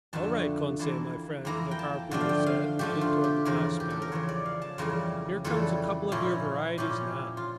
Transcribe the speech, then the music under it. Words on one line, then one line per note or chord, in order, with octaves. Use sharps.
"All right, Conseil my friend," the harpooner said, leaning toward the glass panel, "here come a couple of your varieties now!"
F2 D3 A3 A5
F2 E3 A#3 E4 A5
F2 E3 A#3 E4 A#5
G5
A5
D3 F3 A3 D4 G5
F5
G5
F5
D3 F3 A3 D4 G4
F4
G4
E2 C#3 F3 A#4
G4
A4
A#4
E2 C#3 F3 C#5
D5
F5
A5
F2 C#3 E3 G3 A#4
F2 C#3 E3 G3 A4
A#2 F3 C#4 E4
A#2 F3 C#4 E4 G4
F4